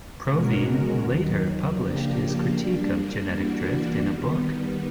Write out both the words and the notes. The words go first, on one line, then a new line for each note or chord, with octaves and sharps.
Provine later published his critique of genetic drift in a book.
B2 G#3 C#4 F#4 A#4
D#2 D#3 F#3
C#3 F3 A#3 D4 G4
G3 A#3 D4
E3 G3 A#3 D4 F#4
D#3 G3 B3